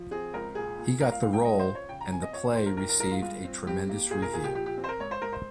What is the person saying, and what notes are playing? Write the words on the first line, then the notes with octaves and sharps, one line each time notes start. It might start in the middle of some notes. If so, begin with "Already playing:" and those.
He got the role and the play received a tremendous review.
Already playing: F3
C4 G#4
C#2 A#4
A#2 G#4
A#2
G#2 A#4
F5
G#2 F5
G5
C#4 D#5
C5
F4
C#5
C#3 G5
A#5
C4 G#5
D#5
F4 C#5
A#2 C5
A#4
D#2 A#4
A#4
G#3 A#4
F4
G2 F4
C4
G2 G4
A#3
A#2 G#4
A#4
A#2 G#4
G4
F3 G4
G4
C4
C5
A#4
G#2 C#5
C5
G#2 A#4
C5